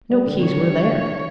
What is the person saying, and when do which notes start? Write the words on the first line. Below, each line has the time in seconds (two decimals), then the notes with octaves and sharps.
No keys were there.
0.11 G3
0.26 D3
0.42 D3 C#5
0.59 G3
0.74 D4